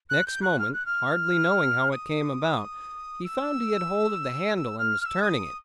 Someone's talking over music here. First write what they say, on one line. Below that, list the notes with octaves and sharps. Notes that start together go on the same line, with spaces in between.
Next moment, hardly knowing how it came about, he found he had hold of the handle and was turning it.
F#6
G6
F#6
F6
F#6
F6
D#6
E6
E6
F6
F6
E6
D#6